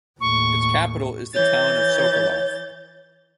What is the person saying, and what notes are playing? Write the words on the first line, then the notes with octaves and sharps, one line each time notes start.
Its capital is the town of Sokolov.
D#2 A2 C#6
E3 C#5 G6 A6